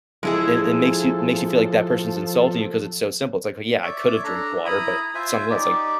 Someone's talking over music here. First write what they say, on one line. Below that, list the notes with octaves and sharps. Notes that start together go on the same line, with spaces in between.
it it makes you makes you feel like that person's insulting you 'cause it's so simple. It's like, "Yeah, I could have drinked water," but something else like,
F3 G#3 E4 G#4 A4
C#5 D5 E5
D4 A4 A#5
E4 A#5 B5 D#6
F4 C5 E5 G#5
D#4 G4 D5